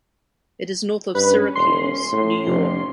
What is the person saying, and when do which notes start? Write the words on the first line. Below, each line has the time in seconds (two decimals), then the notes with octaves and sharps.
It is north of Syracuse, New York.
1.15 G2 C#4 B4
1.55 E1 C6
2.12 A2
2.46 F1 C3 F3 C#4